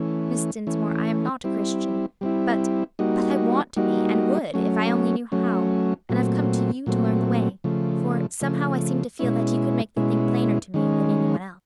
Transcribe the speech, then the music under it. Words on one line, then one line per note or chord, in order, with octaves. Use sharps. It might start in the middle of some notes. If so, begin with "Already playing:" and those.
Miss Dinsmore, I am not a Christian, but--but I want to be, and would, if I only knew how; and I've come to you to learn the way; for somehow I seem to feel that you could make the thing plainer to me than any one else.
Already playing: E3 A3 C#4
E3 A3 C#4
G3 C4 E4
G3 C4 E4
G3 A#3 D#4 F#4
G3 A#3 D#4 F#4
F#3 A3 C#4
F#3 A3 C#4
A#2 F#3 A3 C4
A#2 F#3 A3 C4
C#3 F3 A3
C#3 F3 A3
B2 G#3 C#4 E4
B2 G#3 C#4 E4
D#3 G#3 C#4